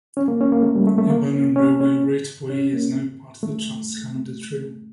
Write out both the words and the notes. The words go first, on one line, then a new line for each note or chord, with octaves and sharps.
The abandoned railway right of way is now part of the Trans Canada Trail.
C#4
A#3
C#4
A#3
A3
G3
A3
A3
A#3
C#4
C#4
C#4
C#4
A#3
A3